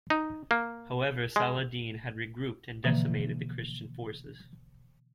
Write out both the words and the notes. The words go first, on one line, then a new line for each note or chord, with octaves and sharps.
However, Saladin had regrouped and decimated the Christian forces.
D#4
A#3
G#3
B2 D3 E3 F3 A#3